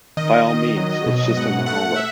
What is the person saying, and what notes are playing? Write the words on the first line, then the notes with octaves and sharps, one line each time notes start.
By all means, it’s just in the hallway.
D#3 D#5
D#3
F#3
B2
G#2 F#5
A3 F#5
E5